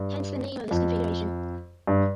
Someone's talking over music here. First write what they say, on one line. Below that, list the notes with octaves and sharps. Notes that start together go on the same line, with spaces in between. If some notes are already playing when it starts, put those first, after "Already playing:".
Hence the name of this configuration.
Already playing: G2
F2
G2